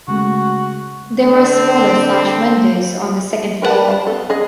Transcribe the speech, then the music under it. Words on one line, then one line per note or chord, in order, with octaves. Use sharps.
There were smaller sash windows on the second floor.
C#3 G#3 A3 F#4
D3 C4
A#4 B4 C#5 F#5 A5
F5 A5
B3 A4
G#4 D#5